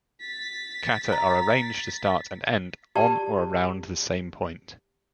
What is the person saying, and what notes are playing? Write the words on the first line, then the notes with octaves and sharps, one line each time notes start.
Kata are arranged to start and end on or around the same point.
A6 B6
A#5
G4 D5 A5